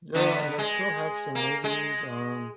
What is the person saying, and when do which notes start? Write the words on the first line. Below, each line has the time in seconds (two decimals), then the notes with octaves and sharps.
Yeah, and I still have some movies, um,
0.14 D3 B3
0.58 G#3
1.35 A#3
1.64 G#3